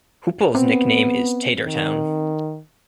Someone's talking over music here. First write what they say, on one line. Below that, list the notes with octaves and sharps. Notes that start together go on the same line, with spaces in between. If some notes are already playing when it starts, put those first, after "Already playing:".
Hoople's nickname is Tatertown.
B3 C4
D#3